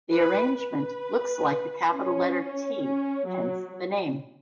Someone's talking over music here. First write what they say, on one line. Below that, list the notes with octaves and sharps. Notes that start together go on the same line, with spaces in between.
The arrangement looks like the capital letter T, hence the name.
B4
B4
C#4
C#4
F#3